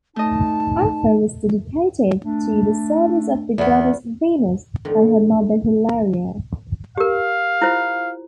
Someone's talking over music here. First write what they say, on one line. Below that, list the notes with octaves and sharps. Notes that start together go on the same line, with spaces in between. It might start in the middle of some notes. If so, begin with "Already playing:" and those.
Afra was dedicated to the service of the goddess, Venus, by her mother, Hilaria.
A3 D#4 D#5 A5
A3 D4
E2 B3
F2 A2 D3 D#3 F3
G4 A#4 F5
E4 F4 C5